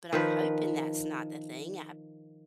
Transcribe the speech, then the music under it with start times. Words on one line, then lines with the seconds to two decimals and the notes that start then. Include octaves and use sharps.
but I'm hoping that's not the thing, I
0.13 D#3 F3 B4